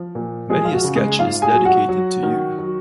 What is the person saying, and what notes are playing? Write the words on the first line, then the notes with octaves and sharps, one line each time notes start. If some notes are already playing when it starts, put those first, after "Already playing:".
Many a sketch is dedicated to you.
Already playing: F3
A#2
F3 G#3 G#4
F4
F#4
C#3
G#3 G#4
G#2 F4 F5
G#4 G#5
F#3
F#4 F#5
F#3
D#3
F#3